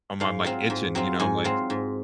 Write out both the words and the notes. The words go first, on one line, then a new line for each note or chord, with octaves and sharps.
I'm I'm like itching, you know? I'm like
G#2 F5
F#3 C4 F4
G#2
F#3 C4 F4
G#2 G#5
F#3 C4 F4
G#2